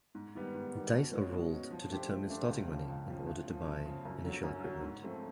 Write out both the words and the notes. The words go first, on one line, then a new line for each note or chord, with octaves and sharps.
Dice are rolled to determine starting money in order to buy initial equipment.
G#2
D#3 G3 B3
G#2
D#3 G3 B3
B2
G#3 C#4
B2
G#3 C#4
F3
A3 D4 G4 C5
F3
A3 D4 G4 C5
C#2
C#3 F3
C#2
C#3 F3
D2
C#3 F3
D2
C#3 F3
F#2
D3 F#3
F#2
D3 F#3
G#2
F3 A3 C4